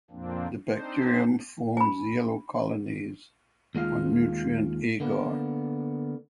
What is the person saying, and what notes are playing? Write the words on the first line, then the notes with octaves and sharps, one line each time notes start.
The bacterium forms yellow colonies on nutrient agar.
F2 A#2 F3 A#3 C4 D4
C4 D4 D#4 C5
G#5 B5
D#2 G#3 F4 F5
D3 A#3 B3